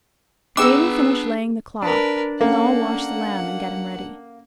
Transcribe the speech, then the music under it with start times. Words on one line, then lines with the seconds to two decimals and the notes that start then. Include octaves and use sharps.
Jane'll finish laying the cloth, and I'll wash the Lamb and get him ready.'
0.57 B3 D4 G#4 G5 A#5 D6 E6
1.83 D4 A#4 B4
2.41 A#3 C#4 A4 F#5